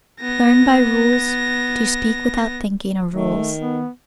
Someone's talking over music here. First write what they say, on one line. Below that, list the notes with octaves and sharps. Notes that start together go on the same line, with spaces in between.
Learn by rules to speak without thinking of rules.
B3 A#6
D#3 A3
B3